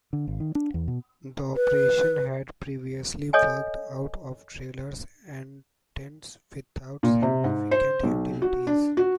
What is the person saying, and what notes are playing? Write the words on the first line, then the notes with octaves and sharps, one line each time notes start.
The operation had previously worked out of trailers and tents, without significant utilities.
D3
G#1
D#3
D4
E2
B2
B4
A4 C#5 D#5 G#5
A#2
C3
G#2
C5
B1
F#4
D4
F#4